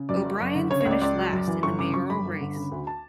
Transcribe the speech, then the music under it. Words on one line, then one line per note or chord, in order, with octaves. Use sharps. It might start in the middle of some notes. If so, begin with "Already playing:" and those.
O'Brien finished last in the mayoral race.
Already playing: C#3
F#2 D5
F#1
F#1
D3
C#3 C#5
C#5
C#2
D5
C#2 D5
F#3
F#2
E3
G1 C#6
C#3 D6
F#2 C#6
G1 B5
G1
D3
C#3
D2
A5